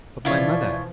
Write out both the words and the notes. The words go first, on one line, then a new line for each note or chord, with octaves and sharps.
"But my mother?"
B2 E3 F3 E4 F4 C#5 D5